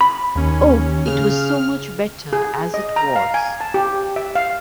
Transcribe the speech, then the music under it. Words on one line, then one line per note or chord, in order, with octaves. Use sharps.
Oh, it was so much better as it was!
B5
D#2 C#4
C#3 F6
G#4
D#5
A#5
F5
G#5
A5
G4
E5
F5